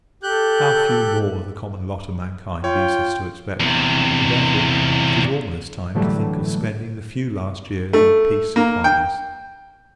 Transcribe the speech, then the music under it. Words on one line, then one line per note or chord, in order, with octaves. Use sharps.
How few more, the common lot of mankind leads us to expect; and, therefore, it is almost time to think of spending the few last years in peace and quietness!
G4 A4 F#6 G6
F4 C#5 G5
E2 C3
A2 D3 E3 F#3 G3 A3
A3
A#3
G5